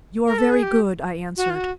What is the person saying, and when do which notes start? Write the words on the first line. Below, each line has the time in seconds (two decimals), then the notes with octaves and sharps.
"You are very good," I answered.
0.26 A#4
0.38 A4
0.51 G#4
0.63 G4
1.37 F#4
1.50 F4
1.55 F#4